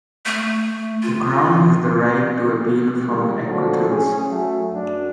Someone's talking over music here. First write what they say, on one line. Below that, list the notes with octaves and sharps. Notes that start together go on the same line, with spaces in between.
The Crown has the right to appeal from acquittals.
A3
F4
D#3 G3 G#3 A#3
D3 F3 F#3
C#4 G#4
F#3 A3
F#2 D4